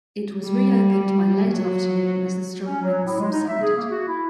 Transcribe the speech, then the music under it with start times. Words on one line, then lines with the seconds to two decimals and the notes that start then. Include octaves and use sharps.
It was re-opened by late afternoon as the strong winds subsided.
0.42 G3
1.47 F#3
2.66 C#4
2.82 F#3
3.04 A2
3.18 G#3
3.31 D#4
3.48 E5
3.62 G#4
3.77 A#3
3.90 F#4
4.07 E4